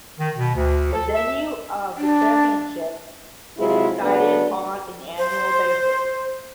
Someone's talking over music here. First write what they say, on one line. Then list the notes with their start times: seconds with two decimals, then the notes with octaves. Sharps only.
The venue of the championships is decided on an annual basis.
0.19 D#3
0.36 B2
0.55 D2
0.93 A4
1.14 E5
1.98 D4
3.58 C3 F#3 G#3 E4 F4 G#4
4.01 C#3 F#3 A3 B3 D4
5.18 C5